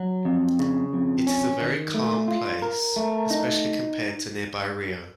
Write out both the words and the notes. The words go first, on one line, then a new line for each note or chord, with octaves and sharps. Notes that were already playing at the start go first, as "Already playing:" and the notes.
It is a very calm place, especially compared to nearby Rio.
Already playing: F#3
F2
C#3
F2
C#4
D#3
A3
F4
A#4
A3
D#4